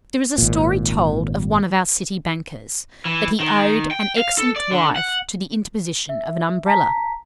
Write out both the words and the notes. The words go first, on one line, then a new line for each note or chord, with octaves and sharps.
There is a story told of one of our City bankers, that he owed an excellent wife to the interposition of an Umbrella.
G#1 A#2
E3
D#3
G5
F5
A4
D5
D3
F#5
E5
A5 A#5 B6